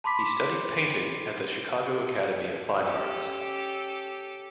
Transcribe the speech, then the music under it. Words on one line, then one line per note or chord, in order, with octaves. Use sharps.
He studied painting at the Chicago Academy of Fine Arts.
A5 B5 C6 D6 B6
C#4 G4 A4